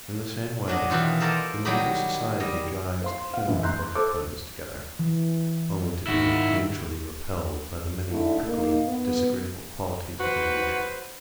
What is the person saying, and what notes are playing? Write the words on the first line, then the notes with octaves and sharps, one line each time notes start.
In the same way the need of society drives the human porcupines together, only to be mutually repelled by the many prickly and disagreeable qualities of their nature.
F#3 D4 D#5
B2 D#3 E3 D#4 F4
A4 A#4 C5 D5 D#5 A5
D#3 F#3 G3 G4 D#5 B5
G3 D#5
C5 F5 C6
F5 F#5
A1 F#2
A#5 C6 F#6 G6
A4 C5 D6
E3
G#2 D#3 D#4 E4 F#4
G#2 D3 A3 D4 E4
A#3 D#4
B3
F#4 B4 C5